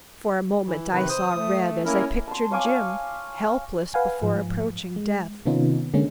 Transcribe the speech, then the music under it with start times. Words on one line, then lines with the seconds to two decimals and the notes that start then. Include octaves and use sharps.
For a moment I saw red as I pictured Jim, helpless before approaching death.
0.67 E3
0.92 C3 D#3 B4
1.09 C5 D#6
1.34 A3
1.85 A#3 C#4 E4 A#4
2.27 A5 C6
2.51 C#5 F5 G#5 D6
2.65 F5 G#5
3.94 B4 F5 F#5 G#5
4.22 G#2 F3
4.96 G#3
5.46 C3 D#3 B3 C#4 D#4 F4
5.94 D3 G#3 A#3 C#4